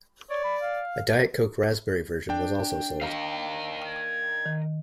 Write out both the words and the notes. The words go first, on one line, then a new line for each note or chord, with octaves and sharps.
A Diet Coke Raspberry version was also sold.
C#5 D5
B5
F5
D4 G5
A#4 D#5 F5
G#6
D#3